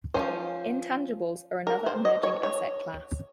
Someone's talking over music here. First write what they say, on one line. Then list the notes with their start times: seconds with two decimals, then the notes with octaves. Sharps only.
Intangibles are another emerging asset class.
0.14 A#3 C#4 C5
0.19 F3
1.67 A#4
1.86 C5
2.05 D#5
2.23 C#5
2.43 C#5